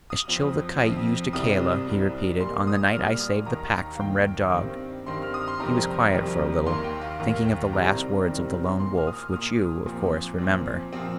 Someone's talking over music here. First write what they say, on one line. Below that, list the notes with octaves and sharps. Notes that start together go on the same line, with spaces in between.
"As Chil the Kite used Akela," he repeated, "on the night I saved the Pack from Red Dog." He was quiet for a little, thinking of the last words of the Lone Wolf, which you, of course, remember.
D#6
F2 F3 C4
F2 F3 C4
C2 C3 G3 C4 D#6
C2 C3 G3 C4
A#2 G3 A#3 C6
D#6
A#2 G3 A#3 F6
D#6
D#2 D#3 A#3 A#5
F5
D#2 D#3 A#3 G5
G2 D#3 C4
G2 D#3 C4 C6
F6
D#6
C6
F2 C3 D#3 G3 C4 A#5
F2 C3 D#3 G3 C4
D#2 D#3 A#3 C6
G5
F5
D#2 D#3 A#3 F5
G5
C2 C3 D#3 G3 C4 A#5
C2 C3 D#3 G3 C4
A#2 A#3 C6
F6
D#6
F6
A#2 A#3 D#6
A#2 F3 C4
A#2 F3 C4
A#2 F3 C4